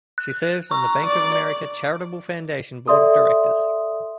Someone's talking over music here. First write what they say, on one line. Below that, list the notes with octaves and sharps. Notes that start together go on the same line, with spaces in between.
She serves on the Bank of America Charitable Foundation Board of Directors.
F#6
A#5 C#6
D5
A4 D5 E5 C6 D#6